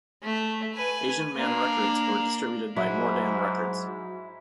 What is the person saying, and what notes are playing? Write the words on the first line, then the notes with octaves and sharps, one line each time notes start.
Asian Man Records were distributed by Mordam Records.
A3
B4 G#5
A#3 D4
G#2 F#3 E4